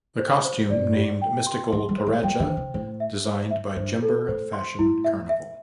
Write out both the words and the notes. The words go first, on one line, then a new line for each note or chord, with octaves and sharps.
The costume named ""Mystical Toraja"" designed by Jember Fashion Carnival.
C5
C5
G2 D5
G4
G5
C6
A2 C6
G3
C5
A3
G3 G5
D3
C5
C3
A2 C5
E5
C5
E5
G2 C5
A4
A2 C5
C6
A2 E4
E5
E5